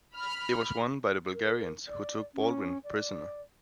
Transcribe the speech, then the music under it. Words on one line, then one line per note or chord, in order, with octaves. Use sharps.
It was won by the Bulgarians, who took Baldwin prisoner.
B5 F6
A#4
D5
C#4
D5